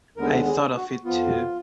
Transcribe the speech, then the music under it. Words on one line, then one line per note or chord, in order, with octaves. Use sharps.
I thought of it too.
D#2 D3 G#3 B3 A#4
G#4
F#4
F2 F3 B3 F4